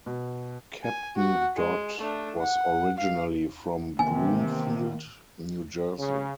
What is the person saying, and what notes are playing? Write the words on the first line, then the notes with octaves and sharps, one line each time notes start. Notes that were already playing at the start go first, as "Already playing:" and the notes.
Captain Dodd was originally from Bloomfield, New Jersey.
B2
G#5
F#4 F#5
G#3
A3 D4
F#5
F5
C3 D#3 E3 A#3 B3 G#5
C#3